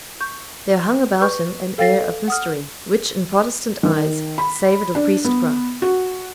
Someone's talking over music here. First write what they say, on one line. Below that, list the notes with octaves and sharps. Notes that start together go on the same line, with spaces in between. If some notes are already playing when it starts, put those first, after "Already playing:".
There hung about him an air of mystery, which, in Protestant eyes, savoured of priestcraft.
C#6 G6
B4 C#6 G6
A4 F5 G5 A6 A#6 C7
F#5 D#6 F6
D#3
B5
D4
B3
F#4